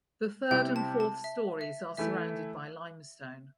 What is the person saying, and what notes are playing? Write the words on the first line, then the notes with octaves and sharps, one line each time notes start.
The third and fourth stories are surrounded by limestone.
C3 G3 C4 E4 G4 G5
A5
A5
E5
E5
E3 A3 E4 E5